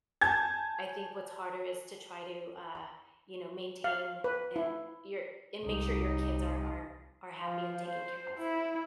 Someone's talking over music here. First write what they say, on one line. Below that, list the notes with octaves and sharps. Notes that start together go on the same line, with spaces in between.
I think what's harder is to try to, uh, you know, maintain, eh, your and make sure your kids are are are happy and taken care of.
G#5 A5 G6 G#6
F5
B4
E4
C2 D#4
F3
C5
E4